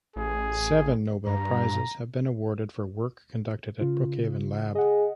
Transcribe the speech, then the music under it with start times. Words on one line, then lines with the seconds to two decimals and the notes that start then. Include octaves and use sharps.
Seven Nobel prizes have been awarded for work conducted at Brookhaven lab.
0.16 A1 G#4
1.26 G2 A#5
3.81 C#3 F4
4.75 G#4 D#5 F#5